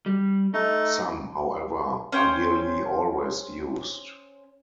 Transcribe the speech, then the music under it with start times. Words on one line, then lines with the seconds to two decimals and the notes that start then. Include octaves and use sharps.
Some, however, are nearly always used.
0.06 G3
0.54 A3 D#4
2.12 C#4 C5 G5